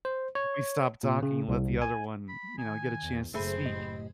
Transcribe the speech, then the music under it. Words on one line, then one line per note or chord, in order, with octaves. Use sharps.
we stop talking and let the other one, you know, get a chance to speak.
C5
C#5
A#2
C#3
C2
G#5
B5
D#3 G#5
E2
F#1 A3 C4 G#4 A4 C5 E5 B5
A2 G4 D#5